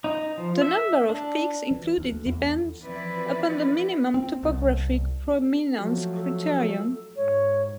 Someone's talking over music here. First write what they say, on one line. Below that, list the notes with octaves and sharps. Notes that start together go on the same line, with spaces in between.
The number of peaks included depends upon the minimum topographic prominence criterion.
D#4
F3
E5
D4
E3
D2
E2
E3 F3 C4 E4 B4 D5
C4
C2
F3 F#3 A3
A4
G#2 C#5